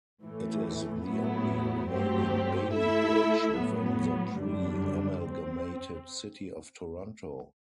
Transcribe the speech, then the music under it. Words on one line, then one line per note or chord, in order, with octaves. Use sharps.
It is the only remaining Bailey bridge within the pre-amalgamated City of Toronto.
A2 E3 A3
A2 F#3 B3 E4
G2 F#3 A3 C4 G4
A3 E4 A4 E5
A2 F#3 B3
F#2 D3 G3 D4
C4